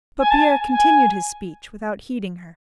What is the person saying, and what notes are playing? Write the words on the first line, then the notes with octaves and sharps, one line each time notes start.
But Pierre continued his speech without heeding her.
G#5
A5
G#5
G#5